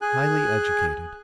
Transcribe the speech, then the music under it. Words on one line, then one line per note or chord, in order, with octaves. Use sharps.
Highly educated.
G#4 G#5 F#6